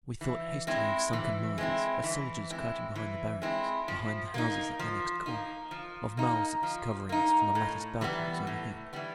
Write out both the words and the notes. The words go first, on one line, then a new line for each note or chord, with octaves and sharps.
We thought hastily of sunken mines, of soldiers crouching behind the barriers, behind the houses at the next corner, of Mausers covering us from the latticed balconies overhead.
E3
G#3 C4 E4
E3
G#3 C4 E4
E3
G#3 C4 E4
E3
G#3 C4 E4
F3
A#3 D#4
F3
A#3 D#4
F3
A#3 D#4
F3
A#3 D#4
A2
E3 G3 B3
A2
E3 G3 B3